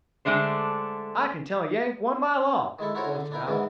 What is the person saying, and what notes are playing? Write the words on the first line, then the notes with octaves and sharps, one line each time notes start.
"I can tell a Yank one mile off," boasted Alf.
D3 G#3 A3 D4 C5
D#3 G#3 E4 A4
E4 F#4 A4 A#4 C5 C#5
D3
D4 E4 A#4
E2 G#2 D#3 E3 B3